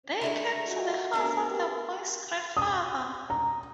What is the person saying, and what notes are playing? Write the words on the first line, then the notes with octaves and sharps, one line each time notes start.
They came to the house of the boy's grandfather.
G#3 A3 D4 E4
F4 F#4
C3 A3 B3 D4 A#4
B3 F#4 G4
D#6
A#5